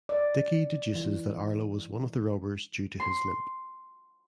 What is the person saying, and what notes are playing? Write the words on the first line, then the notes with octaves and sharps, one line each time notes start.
Dickie deduces that Arlo was one of the robbers due to his limp.
D5
E3
C6